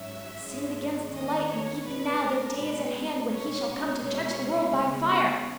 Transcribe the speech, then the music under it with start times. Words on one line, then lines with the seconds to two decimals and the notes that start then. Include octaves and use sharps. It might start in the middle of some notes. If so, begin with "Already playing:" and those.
Sinned against the light and even now that day is at hand when he shall come to judge the world by fire.
Already playing: G#2 F#3 C#4 E5
0.39 G#2 E3 G#3 C#4
1.12 E2 D#3 A#3 D#5
1.48 C#5
1.83 B2 G#3 B3 B4
2.20 A#4
2.56 B2 G#3 B3 B4
3.27 B2 G#3 C#4 C#5
3.99 B2 G#3 C#4
4.71 C#3 G#3 B3